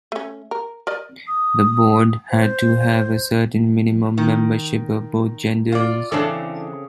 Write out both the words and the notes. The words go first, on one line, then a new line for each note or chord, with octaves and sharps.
The board had to have a certain minimum membership of both genders.
A3 C#4
A#4
A#4 D5 D#5
D#6
C5
D#3
F4 D5
C#3 E3 C4 D4 A4